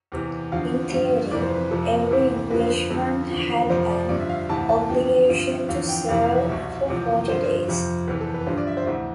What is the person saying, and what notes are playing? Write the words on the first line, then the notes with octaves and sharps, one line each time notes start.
In theory, every Englishman had an obligation to serve for forty days.
E2 C3 E3
E2 D3 F3 F5
G2 D3 F3
F2 C3 E3 D5
C5
B4
F2 C3 F3 A4
D2 C3 E3
F2 D3 F3 B4
F5
B4
F2 D3 F3 A4
E2 D3 F3
F2 C3 F3 C5
D5
G2 D3 F3 D5
E5
F5
D2 C3 E3 A5
A5
E2 D3 F3 G5
G2 D3 F3
E2 D3 F3 F5
G5
F2 C3 E3 F5
F5
E5
C2 B2 E5
E2 C3 F3
G2 D3 F3 C5
F2 C3 F3
E2 C3 E3 B4
A4
B4
G2 D3 F3 C5
D5
E5
C5
D2 C3 E3 E5